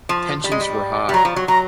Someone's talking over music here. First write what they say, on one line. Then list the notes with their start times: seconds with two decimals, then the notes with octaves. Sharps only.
Tensions were high.
0.09 F3
0.44 G3
0.51 G#3
0.61 G3
1.09 G3
1.14 F#3 A#5
1.25 F3
1.36 F#3
1.48 F#3 A#5